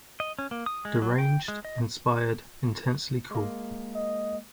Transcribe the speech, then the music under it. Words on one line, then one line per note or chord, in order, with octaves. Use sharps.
Deranged, inspired, intensely cool.
D#5
C#4
A#3
D#6
G#3
F#3
G5
G#3
D#5
G#3 A#3
D#5